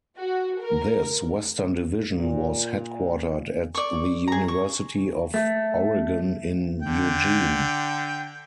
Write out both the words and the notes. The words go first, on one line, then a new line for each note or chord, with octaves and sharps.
This western division was headquartered at the University of Oregon in Eugene.
F#4
A#4
A#2
D5 C#6
G#4 A#5
C#6
A3
D3 G5